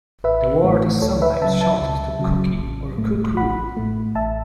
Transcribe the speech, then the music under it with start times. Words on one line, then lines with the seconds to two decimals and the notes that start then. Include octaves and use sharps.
The word is sometimes shortened to "cookie" or "coo-koo".
0.24 A1 B4 E5
0.63 A2 E3 A3
1.02 C#2 A4 C#5
1.22 B4 E5
1.41 C#3 F#3 E5 A5
1.61 E5 A5
1.81 C#2
2.19 C#3 F#3
2.58 A1
2.98 A2 A3
3.37 A1 F#5 B5
3.77 A2 A3
4.15 A1 E5 A5